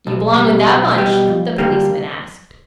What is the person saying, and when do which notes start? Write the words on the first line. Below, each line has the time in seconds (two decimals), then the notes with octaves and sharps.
"Do you belong with that bunch?" the policeman asked.
0.07 B1
0.38 B2 G3
0.67 B1
0.98 B2 G3
1.28 F2
1.58 D3 G3 A#3